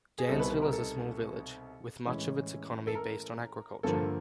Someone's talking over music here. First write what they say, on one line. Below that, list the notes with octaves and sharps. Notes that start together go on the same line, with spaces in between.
Dansville is a small village, with much of its economy based on agriculture.
G#4
C2 B2 G3 C4 D#4 A4
B4
B4
A#4
A4
A2 E3 G#3 C#4 E4
A4
A#4
G2 D3 F3 A#3 A4